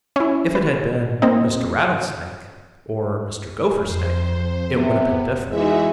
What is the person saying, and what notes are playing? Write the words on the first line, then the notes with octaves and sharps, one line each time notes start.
If it had been Mr. Rattlesnake or Mr. Gophersnake, it would have been different.
C#4 E4
B4
A#3 C4 D#4
F2 C5
C3 B3
E3 G#3 D#4 F#4 E5